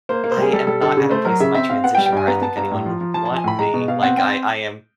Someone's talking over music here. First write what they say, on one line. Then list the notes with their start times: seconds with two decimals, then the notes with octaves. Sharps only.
I am not at a place in my transition where I think anyone would want me. Like I I am
0.09 A#3 C5
0.24 A#3
0.31 C5
0.37 G3 G#4
0.53 G3 A4
0.67 G3 A4
0.82 D3 A4
0.97 C#3
1.11 A3 C5
1.25 F#3 A#4
1.40 C#3 E5
1.55 C4 E5
1.69 C4 F5
1.84 B3 F#5
1.95 G5
1.98 G3
2.06 G5
2.12 G2 G#5
2.27 B3 A#5
2.42 B3 A5
2.56 G2 A#5
2.71 A2
2.86 F3
3.01 F3
3.14 F3 A5
3.25 F3 A5
3.37 G#5
3.44 A2 B5
3.59 G#3 A#5
3.74 B2
3.88 B2 F5
4.02 C4 F#5
4.17 C4 G5